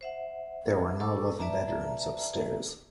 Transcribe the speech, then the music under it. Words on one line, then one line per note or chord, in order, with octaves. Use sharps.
There were now eleven bedrooms upstairs.
C5 E5 F#5
A4 A5 C#6 D6 E6
B4 D5 E5 A5 A#5